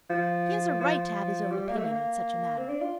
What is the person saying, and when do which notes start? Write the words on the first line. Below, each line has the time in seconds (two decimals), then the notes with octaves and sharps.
"He has a right to have his own opinion on such a matter."
0.10 F3
0.81 F3
1.52 G3
1.69 A#3
1.78 A3
1.85 A#3
2.58 C4
2.69 D4
2.81 F4